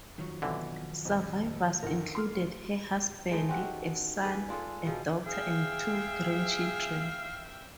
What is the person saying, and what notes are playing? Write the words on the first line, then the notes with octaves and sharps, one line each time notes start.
Survivors included her husband, a son, a daughter, and two grandchildren.
D#3 F3 F#3
B2 D3 E3 C4
A#1 F2
G1 D#3 E4 A#4 F#5
C6 F6
G#3 A3 D#4
C4 C#4 F#4 G4
G#4 B4
D4 F4 G#4 A4
B2 F3 G#4
G#4 E5 F5 G5